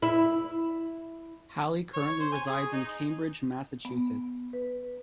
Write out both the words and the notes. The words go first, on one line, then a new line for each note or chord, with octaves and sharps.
Halle currently resides in Cambridge, Massachusetts.
E4
C#5
C5
G#5
G#4
D#4
B3
B4